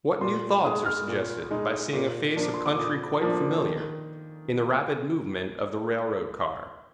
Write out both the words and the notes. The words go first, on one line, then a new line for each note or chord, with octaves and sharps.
What new thoughts are suggested by seeing a face of country quite familiar, in the rapid movement of the rail-road car!
A#2 C6
G#3 D#4 D#6
F6
A#2
G#3 D#4
A#2
F3 A#3 D4
C6
D6
A#2 D#6
F3 A#3 D4
D#3